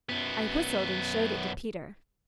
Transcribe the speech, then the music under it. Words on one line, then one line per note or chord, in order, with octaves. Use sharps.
I whistled and showed it to Peter.
F#2 B3